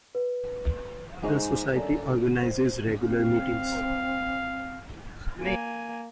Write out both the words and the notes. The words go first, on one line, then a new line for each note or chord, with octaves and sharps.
The Society organises regular meetings.
B4
G#2 G#3 D#4 G#4 C5
F#2 D4 A4 D#5
C5
C4 F5
A#3 G#5